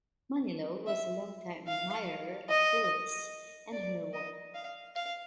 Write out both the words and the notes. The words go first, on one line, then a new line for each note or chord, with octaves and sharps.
Manilow was a long time admirer of Phyllis and her work.
E5
F5
D#5
D5
D#5
F5
F5